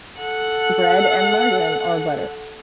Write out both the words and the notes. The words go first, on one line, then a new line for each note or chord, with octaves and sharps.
bread and margarine or butter.
A4 F#5